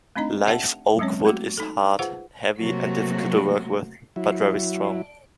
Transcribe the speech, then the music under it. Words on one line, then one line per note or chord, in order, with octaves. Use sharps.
Live oak wood is hard, heavy, and difficult to work with, but very strong.
A3 C4 D4 D#4 D#5 A#5
G4 D5 E5 F#5 G5 A5
F#3 G#3 C4 C#4 C#5
A3 A#3 F#4 G4
D#4 A4
F4 G#4 B4 C5 F5 F#5
C3 F#3 A3 A#3 F#4
F#3 E4